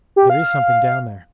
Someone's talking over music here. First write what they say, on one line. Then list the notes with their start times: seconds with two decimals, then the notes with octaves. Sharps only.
"There is something down there."
0.16 G4
0.30 F5